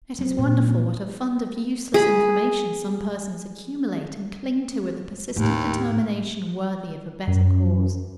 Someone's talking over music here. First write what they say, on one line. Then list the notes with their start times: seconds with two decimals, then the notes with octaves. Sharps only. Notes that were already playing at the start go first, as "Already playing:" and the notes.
It is wonderful what a fund of useless information some persons accumulate and cling to with a persistent determination worthy of a better cause.
0.19 F#3 C4
0.39 A#2
1.94 G#4 B5
5.36 D#2 A2
7.27 F#2